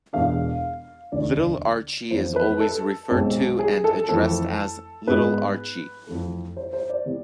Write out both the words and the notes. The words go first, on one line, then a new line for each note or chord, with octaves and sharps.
Little Archie is always referred to and addressed as "Little Archie".
E1 E2 B2 B3 D4 F5
E1 D2 D3 D5
F2 E3 B3 C5
B4
A4
B1 B2 G#3 C4
G#4
A4
F2 E3 A3 C4 A4
G#2 G#3 B3 B4
F2 E3 A3
C5
C5
D5
C3 E3 B3